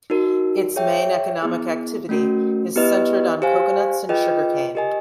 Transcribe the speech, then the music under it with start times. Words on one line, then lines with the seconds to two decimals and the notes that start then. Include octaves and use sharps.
Its main economic activity is centered on coconuts and sugarcane.
0.10 D#4 F#4 A#4
0.76 G#4 C#5 E5 G5
1.42 B3 E4 G#4
2.09 A3 C#4 F#4 A#4
2.76 B3 E4 G4 B4 D#5
3.42 G4 C5 F5 G#5
4.09 F4 G#4 B4 D#5 G5
4.75 G4 A#4 D#5 G#5